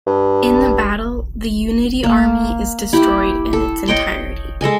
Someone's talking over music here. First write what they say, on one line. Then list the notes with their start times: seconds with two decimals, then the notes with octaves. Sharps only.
In the battle, the Unity Army is destroyed in its entirety.
0.07 G2
2.04 A#3
2.93 E4 G4
3.53 A4
3.88 C#5 D#5 G5 C6
4.61 G#3 A4 D#5 G#5